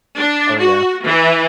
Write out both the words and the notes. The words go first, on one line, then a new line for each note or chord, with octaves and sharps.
Oh yeah.
D4
F#4
E3